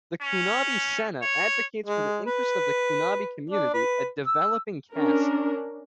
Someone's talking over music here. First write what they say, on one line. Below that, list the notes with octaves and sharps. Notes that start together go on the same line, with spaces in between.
The Kunabi Sena advocates for the interests of the Kunabi community, a developing caste.
C#4
C#5
G#3
B4
D4
B4
E6
C#4 D4 A#4